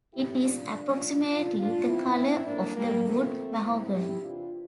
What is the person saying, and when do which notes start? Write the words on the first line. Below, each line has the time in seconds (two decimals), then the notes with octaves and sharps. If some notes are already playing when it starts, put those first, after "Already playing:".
It is approximately the color of the wood mahogany.
0.13 A2 E3 E4 G4
0.42 D4 F4
0.72 G2 D3 F3
1.29 F2 E3 D4 F4
1.59 D4 F4
1.88 F2 E3 C4 E4
2.46 A2 F3 A#3 D4
2.76 G3 A#3
3.05 E2 D3 F3 A3 C4
3.62 G2 F3 C4 E4
3.92 E4 G4
4.21 E2 C3 E3 D4 F4